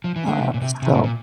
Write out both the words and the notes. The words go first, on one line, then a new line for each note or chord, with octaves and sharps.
uh, so
F3
E3
D3
C3
A#2
C3
C3
A2
A#2